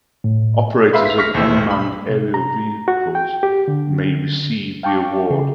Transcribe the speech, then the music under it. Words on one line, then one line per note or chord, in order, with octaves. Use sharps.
Operators of Unmanned aerial vehicles may receive the award.
A2
B4 E5 F5 B5 C6
B6 F7
C#6 F6 A#6 B6
E1 D#2 E3 A3 C4 E6
B1
B5
C3
A#5
F#4
G5
G4
D3
F5 G5 A5 C#6 D6
C#3